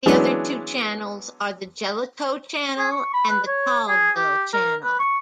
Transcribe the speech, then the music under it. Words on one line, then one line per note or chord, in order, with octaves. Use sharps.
The other two channels are the Jellicoe Channel and the Colville Channel.
E3 F#3 G#3 B3 C#4 D4
G#4
C#6
B5
B4
C#5
G#4
G4
A#4
B4
C#6